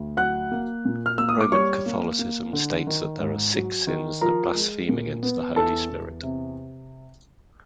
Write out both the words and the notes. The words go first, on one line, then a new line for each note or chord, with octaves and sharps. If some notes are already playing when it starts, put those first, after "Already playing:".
Roman Catholicism states that there are six sins that blaspheme against the Holy Spirit.
Already playing: D2
F#3 F#5 F#6
A#3
A#2
F6
A#3 E6
D#6
D6
G3 C#5 C#6
A#3
A#3
D3
D#3
G#2
F#3
D#3
F3 A#4 A#5
G#3
A#2
B3
E2 A4 A5
E2
C3